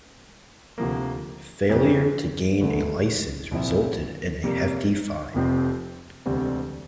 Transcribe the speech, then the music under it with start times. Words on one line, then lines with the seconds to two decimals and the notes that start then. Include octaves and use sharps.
Failure to gain a licence resulted in a hefty fine.
0.78 D2 C3 F3 A#3
1.69 F2 E3 G3
2.60 E1 D2 D3 A3
3.51 C2 A#2 F3 C4 E4
4.43 F2 C3 G3 A#3
5.34 F1 F2 C3 F3 C4
6.26 E1 D2 C3 G3 C4